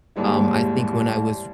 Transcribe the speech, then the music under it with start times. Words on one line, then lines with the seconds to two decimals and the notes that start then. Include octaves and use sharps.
Um, I think when I was,
0.16 D#2 G#2 G3 E4